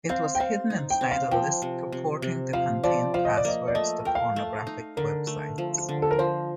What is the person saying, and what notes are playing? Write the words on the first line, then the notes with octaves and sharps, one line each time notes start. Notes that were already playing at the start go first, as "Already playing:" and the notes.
It was hidden inside a list purporting to contain passwords to pornographic websites.
C4 F5
G5
C4 F5
D#4
G5
C4
F5
F3 G5
C3
C3
C3
F3 F5
F3 D5
F3 F5
D#5
D5
A#3 D#5
D5
A3 D#5
A#4 G5
F5
A3
D#4
D3 A#4
A3
F3
D3
A4
A#4
F3 C5